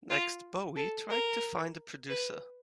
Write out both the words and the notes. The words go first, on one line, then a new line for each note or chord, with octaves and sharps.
Next Bowie tried to find a producer.
F4
A4
A#4
B4